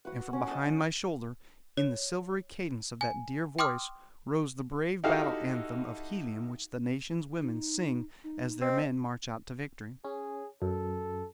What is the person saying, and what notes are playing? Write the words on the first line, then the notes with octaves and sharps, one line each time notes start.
And from behind my shoulder, in the silvery cadence of that dear voice, rose the brave battle anthem of Helium which the nation's women sing as their men march out to victory.
F#4 B4 F#5
C#4
D#5 A5
C#5
G#5
G5 C6 D6 D#6 F6
D#4 E4 F#4 G4 A4 F5
D#4
D#4
C4 D#5
C#4 G#4
F#2 A4